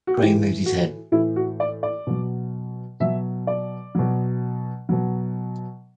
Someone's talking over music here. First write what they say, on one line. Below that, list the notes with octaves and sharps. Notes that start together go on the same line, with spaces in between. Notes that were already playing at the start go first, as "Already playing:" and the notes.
Graham moved his head.
F#4
A2 E3 G4
F#4
A2 E3 E4
F#4
D5
D5
B2 F#3
B2 F#3 E5
D5
B2 F#3
B2 F#3